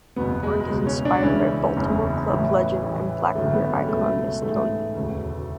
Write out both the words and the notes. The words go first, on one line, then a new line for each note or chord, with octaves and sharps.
Their work is inspired by Baltimore Club legend and black queer icon Miss Tony.
F#1 E2 B2 B3
G#3
G#3
C#2 B2
C#4
D4
C#2 C#3 E3 C#4
F#1 E2 C#3 E3
A1 A2 E3
A1 A2 E3
G#1 F#2 D3 A3
B3
C#4
C#2 B2 A3
A1 G#2 E3 A3
E1 D2 C#3 E3